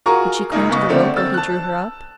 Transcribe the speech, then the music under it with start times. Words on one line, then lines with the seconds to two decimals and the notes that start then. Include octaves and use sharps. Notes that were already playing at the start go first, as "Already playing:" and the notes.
Could she cling to the rope while he drew her up?
0.06 F4 F#4 G#4 A#4 A#5 C#6
0.52 C#2 F#2 A#3 D#4
0.69 B1 C#3 B3 D#5 C#6
0.89 D3 A3 C4 D5
1.16 C4 E6 A6
1.34 A5 F#6